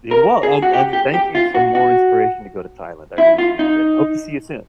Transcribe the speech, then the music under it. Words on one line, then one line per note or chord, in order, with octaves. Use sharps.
It wa and and thank you for more inspiration to go to Thailand. I really appreciate it. Hope to see you soon.
A#4
G#4
F#4
G4
G4
G4
F4
F#4
F#4
E4
F4
D#4